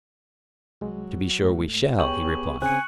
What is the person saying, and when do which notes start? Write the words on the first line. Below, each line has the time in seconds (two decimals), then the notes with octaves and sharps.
To be sure we shall, he replied.
0.81 C2 F#3 G#3
1.41 G#2 A3
1.99 B3 G4 G#4 C#5 G5 C#6 F#7
2.62 C#3 C4 G#5 F#6 C#7